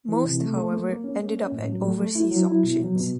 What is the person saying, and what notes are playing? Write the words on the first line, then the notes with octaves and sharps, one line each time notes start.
Most, however, ended up at overseas auctions.
E3
C3
A3
A3
A#3
A#3
C#4
A#3
C#4
A2
F#3
A3
A3
E4
F#3
E4
B2
F#3
B2